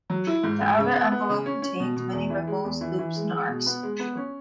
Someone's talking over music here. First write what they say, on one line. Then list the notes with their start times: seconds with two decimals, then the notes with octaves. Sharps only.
The outer envelope contained many ripples, loops, and arcs.
0.10 F#3
0.27 E4
0.43 G#2
0.61 G#2
0.78 C#3
0.95 B3
1.12 B3
1.29 C#3
1.46 C#4
1.62 C#4
1.80 B2
1.96 B2
2.13 E2
2.30 E3
2.47 G#3
2.65 E2
2.81 E3
2.98 E3
3.16 G#3
3.32 G#3
3.49 B2
3.66 B3
3.83 G#3
4.00 B3
4.17 C#4